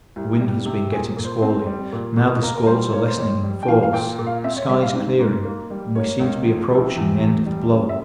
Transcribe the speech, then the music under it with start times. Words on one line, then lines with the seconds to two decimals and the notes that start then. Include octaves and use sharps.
The wind has been getting squally: now the squalls are lessening in force, the sky is clearing and we seem to be approaching the end of the blow.
0.16 C2
0.40 G3
0.65 C3
0.92 A#2 G#4
1.17 A#2
1.25 C5
1.42 C4
1.66 G3
1.93 A#2
2.17 A#2
2.42 A#3 A#4
2.57 A#4
2.67 G3 C5
2.93 A#3 C#5
3.08 C5
3.17 F2 C#5
3.43 G3
3.63 G5
3.68 E3 F5
3.83 F5
3.93 A#2 G5
4.19 A#2
4.27 F5
4.44 C4 E5
4.56 C#5
4.69 G3 E5
4.82 F5
4.94 G#2
5.19 G#2
5.45 A#3
5.70 G3
5.95 A#3 C#5
6.19 C#2
6.45 F3
6.71 C3
6.96 E2
7.21 E2
7.46 G3
7.70 C#3
7.89 E5